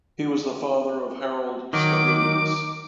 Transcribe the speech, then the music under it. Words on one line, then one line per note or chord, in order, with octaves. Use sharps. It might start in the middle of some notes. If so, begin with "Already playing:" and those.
He was the father of Harald Scavenius.
D#3 F#3 D6